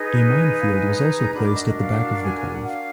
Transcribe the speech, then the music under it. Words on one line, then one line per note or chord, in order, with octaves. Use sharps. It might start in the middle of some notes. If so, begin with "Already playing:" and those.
A minefield was also placed at the back of the cove.
Already playing: D#4 G#4 B4 D#5
F5
G#5
A#5
D4 F#4 A#4 B5
D6
D#5
D#5
F5
G#5
G#5
F#5
F5